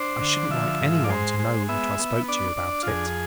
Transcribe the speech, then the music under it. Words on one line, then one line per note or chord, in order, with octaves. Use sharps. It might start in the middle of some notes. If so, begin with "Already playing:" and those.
I shouldn't like anyone to know that I spoke to you about it.
Already playing: D4 C5
D3
F3 E5
G#2
D5
G#3 C5
G#3
B3 E5
B3
D4 D5
D4
F4
F2 G#4